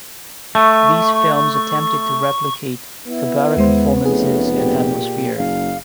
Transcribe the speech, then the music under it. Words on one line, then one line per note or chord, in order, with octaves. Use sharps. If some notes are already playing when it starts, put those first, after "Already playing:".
These films attempted to replicate cabaret performances and atmosphere.
A3 C#6
B3 E4
D#2 G#3 C5
F1 C#3 A3 G#4
A#2 G4
F#1 F5